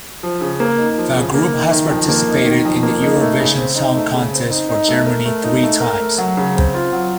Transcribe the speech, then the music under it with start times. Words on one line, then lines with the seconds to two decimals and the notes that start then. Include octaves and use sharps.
The group has participated in the Eurovision Song Contest for Germany three times.
0.23 F3
0.41 C#3
0.60 A#3
0.78 D#4
0.98 F3
1.16 C#3
1.34 A#3
1.54 D#4
1.72 D#3
1.91 F2
2.08 A#3
2.28 D#4
2.46 D#3
2.65 F2
2.83 A#3
3.01 D#4
3.21 A3
3.39 C#3
3.57 C4
3.76 D#4
3.95 A3
4.13 C#3
4.33 C4
4.51 D#4
4.69 D#4
4.88 A3
5.07 A#4
5.25 A3
5.44 D#4
5.63 A3
5.80 A#4
6.00 A3
6.18 F#3
6.37 C#3
6.55 C4
6.74 F4
6.93 F#3